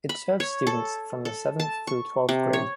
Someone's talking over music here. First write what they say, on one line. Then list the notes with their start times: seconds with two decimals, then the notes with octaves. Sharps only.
It serves students from the seventh- through twelfth-grade.
0.09 B5
0.40 C#5
0.67 A4
1.25 A4
1.60 A5
1.87 C#6
2.29 C3
2.53 C#5